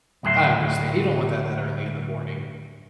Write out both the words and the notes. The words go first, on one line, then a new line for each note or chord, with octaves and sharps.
I understan you don't want that that early in the morning.
D2 A2 F#3 G#4 E5 C6